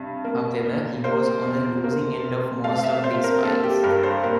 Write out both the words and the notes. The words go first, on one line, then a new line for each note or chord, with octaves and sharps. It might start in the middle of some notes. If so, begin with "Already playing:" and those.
However, he was on the losing end of most of these fights.
Already playing: G2 C3
A#3
A#2
A#3 C5
E2
A#3
C3
A3 F5
F5
E5
C3 C5
A#4
A#3 A4
G4
G2 A#4
C5
A#2 A#4